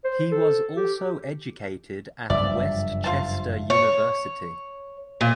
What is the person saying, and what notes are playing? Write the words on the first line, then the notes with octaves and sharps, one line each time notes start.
He was also educated at West Chester University.
C5
A4
G4
F#1 G2 F3 D5 E5
F4 C5 A5
C#5
A#2